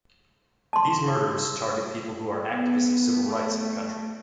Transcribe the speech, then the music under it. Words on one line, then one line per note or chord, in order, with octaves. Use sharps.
These murders target people who are activists of civil rights in the country.
A5 C6
B3
A3